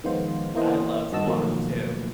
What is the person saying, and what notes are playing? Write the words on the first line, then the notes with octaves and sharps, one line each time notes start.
I love to watch too.
D#3 F3 G#3 B3 F4 C5
E3 A#3 B3 E4 C5 D#5
G2 D#3 F#4 D#5 A5 E6
B2 D#3 F3 F#3 A3 A#3